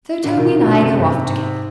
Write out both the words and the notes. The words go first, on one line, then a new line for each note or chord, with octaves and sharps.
So Toby and I go off together.
A2 D3
B2 D#3
B2 D#3
B2 D3
F#2 C3
G2
G2
G#2